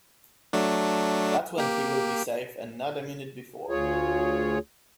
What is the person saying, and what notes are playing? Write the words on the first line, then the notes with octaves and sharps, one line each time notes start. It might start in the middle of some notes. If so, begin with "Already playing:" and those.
That's when he'll be safe and not a minute before.
F#3 A3 D4
A#3 G4
D2 F4 G#4 C#5